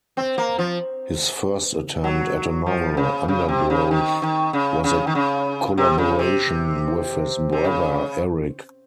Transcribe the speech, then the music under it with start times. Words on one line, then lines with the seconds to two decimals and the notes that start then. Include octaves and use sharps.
His first attempt at a novel, "Undergrowth", was a collaboration with his brother, Eric.
0.17 C4
0.38 A#3
0.59 F3
2.04 F#3
2.66 F3
2.97 C#3
3.28 C#3
3.48 C3
3.70 C#3
3.91 D#3
4.22 D#3
4.53 C#3
4.84 C#3
5.07 D#3
5.15 C#3
5.77 C3
5.98 C#3
6.19 C3
7.52 C3
7.64 C#3